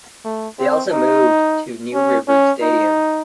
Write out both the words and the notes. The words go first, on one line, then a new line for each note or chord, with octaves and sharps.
They also moved to New River Stadium.
A3
C4
D#4
C#4
C#4
D#4